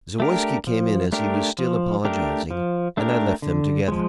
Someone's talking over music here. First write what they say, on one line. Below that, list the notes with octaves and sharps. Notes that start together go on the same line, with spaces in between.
Zawoiski came in as he was still apologizing, and I left them together.
A3 D4 G4 A#4
F3
A3 D4 G4 A#4
F3
A3 D4 G4 A#4
F3
A3 D4 G4 A#4
D3
F3 G#3